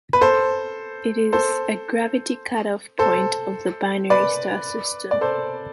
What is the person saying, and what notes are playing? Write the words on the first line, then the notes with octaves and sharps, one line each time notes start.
It is a gravity cut-off point of the binary star system.
B4
A4 C5
A4 C5
A4 C5
B4 D5
D5
A4 C5